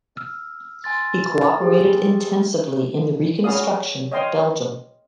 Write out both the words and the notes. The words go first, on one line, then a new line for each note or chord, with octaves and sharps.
He cooperated intensively in the reconstruction of Belgium.
E6 F6
G#5 C6 A6
G4 G#4
C#4 F#4 G#4 D5 F5 D#6
C#5 D#5 F5 G5 C6